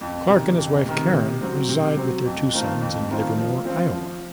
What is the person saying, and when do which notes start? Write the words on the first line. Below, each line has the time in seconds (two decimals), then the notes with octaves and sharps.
Clark and his wife, Karen, reside with their two sons in Livermore, Iowa.
0.01 F2
0.29 C3 D#3
0.57 F2
0.86 C3 D#3
1.13 C3
1.41 F#3 C4
1.69 C3
1.97 F#3 C4
2.25 F2
2.53 D#3 A3 C4 F4
2.81 F2
3.09 D#3 A3 C4 F4
3.38 F3
3.65 C4 F4
3.93 F3